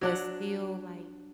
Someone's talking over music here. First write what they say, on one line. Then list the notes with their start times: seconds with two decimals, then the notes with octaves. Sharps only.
but still, like,
0.01 F#3 D4 F#5